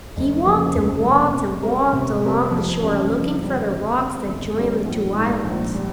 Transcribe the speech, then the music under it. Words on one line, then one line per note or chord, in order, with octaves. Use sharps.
He walked and walked and walked along the shore, looking for the rocks that joined the two islands.
F1
F2 C#3 F3 A#3
F1
F2 C#3 F3 A#3
C3
G3 C4 G4 A#4
C3
G3 C4 G4 A#4
F2
C#3 G3
F2
C#3 G3
G1
G2 G3 C4
G1
G2 G3 C4
A#1
G#2 G3
A#1
G3